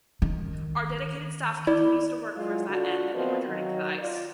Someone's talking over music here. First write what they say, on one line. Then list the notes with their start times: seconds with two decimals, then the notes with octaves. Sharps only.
Our dedicated staff continues to work toward that end and returning to the ice.
0.22 D#3
1.67 E4 D5
2.35 F#3 G#3 F4
2.69 D3 F4 F#4
3.14 F3 B3 C4 F4 A#4 D#5
3.47 D#3 F#3 D#4
3.99 F4 D5